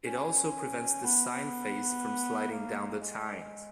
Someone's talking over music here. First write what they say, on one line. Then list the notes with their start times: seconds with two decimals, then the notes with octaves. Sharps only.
It also prevents the sign face from sliding down the tines.
0.06 C#4
1.04 B3
2.51 A#3
3.00 G#3